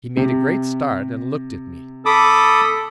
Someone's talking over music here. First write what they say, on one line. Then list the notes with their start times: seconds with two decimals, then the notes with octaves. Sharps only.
He made a great start and looked at me.
0.17 C3
2.06 A4 B5 D6 D#6